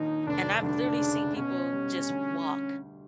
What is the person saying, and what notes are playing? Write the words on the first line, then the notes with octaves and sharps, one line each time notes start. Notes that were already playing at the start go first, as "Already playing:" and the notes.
and I've literally seen people just walk
Already playing: A#1 D#2 D#4
F1 D4
D2 D4
C#3
B2 C#4
G3
D2